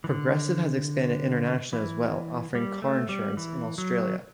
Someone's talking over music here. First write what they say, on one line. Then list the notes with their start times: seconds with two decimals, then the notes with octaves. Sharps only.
Progressive has expanded internationally as well, offering car insurance in Australia.
0.04 E3
0.09 D3
1.73 E3
2.55 G3
2.82 A3
3.09 G3
3.37 E3
3.78 F#3